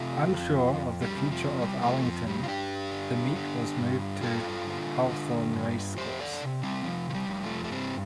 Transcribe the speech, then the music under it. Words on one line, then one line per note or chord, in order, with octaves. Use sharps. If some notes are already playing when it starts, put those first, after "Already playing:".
Unsure of the future of Arlington, the meet was moved to Hawthorne Race Course.
Already playing: C3 F4 A4
F2
F2
G3
C3
F3
C3 G3
F3 A3
F2 F3
G3
F4
G2 D4 G4
D3
D3
G2
G2 F4 A4
D3
D3
G2
F2 G4 C5
A4 D5
C3
G3 C4
C3 F3
F3
G3
F2
F3 A3
A3
G2 G3 C4